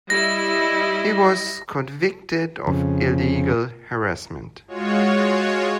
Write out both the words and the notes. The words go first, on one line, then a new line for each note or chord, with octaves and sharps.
He was convicted of illegal harassment.
G3 E4 D#5 A#6
F2 C#3
G#3 F4 F#4 C#5